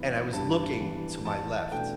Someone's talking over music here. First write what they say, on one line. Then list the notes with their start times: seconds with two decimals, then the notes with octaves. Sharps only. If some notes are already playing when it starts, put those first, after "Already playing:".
and I was looking to my left
Already playing: G2 E3 B3
0.33 G2 A5
0.79 E3 B3
1.25 E2 A5
1.71 B2 A3 D4 G5